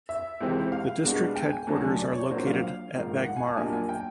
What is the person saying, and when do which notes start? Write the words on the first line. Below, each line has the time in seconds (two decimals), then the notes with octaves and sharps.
The district headquarters are located at Baghmara.
0.09 E5
0.41 C#2 C3 E3 G#3 C4
0.72 F5
1.04 C2 B2 G#3 B3 D4
1.36 G5
1.52 G#5
1.67 D2 D3 F#3 A5
1.83 G#5
1.99 D5
2.14 C#5
2.30 A#1 A#2 F#3 A#3 D4 C5
2.47 F5
2.94 A#1 G#2 D#3
3.26 F#5
3.36 G#5
3.47 A5
3.57 B1 A#2 G3 A#3 D4 G#5
3.73 G#5
3.89 G5